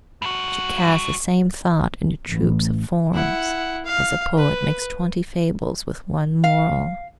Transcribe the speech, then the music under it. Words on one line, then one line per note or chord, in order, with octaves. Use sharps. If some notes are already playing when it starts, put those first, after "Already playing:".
She casts the same thought into troops of forms, as a poet makes twenty fables with one moral.
G2 F#4
A1
E4 F#5
F5
B4
F5